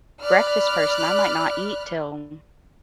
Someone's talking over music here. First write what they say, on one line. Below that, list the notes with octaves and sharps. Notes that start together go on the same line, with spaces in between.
breakfast person; I might not eat till,
D5 B5 F6 F#6